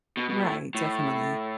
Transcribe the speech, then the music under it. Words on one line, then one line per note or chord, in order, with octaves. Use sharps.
Right, definitely,
B2
B2
A2
A2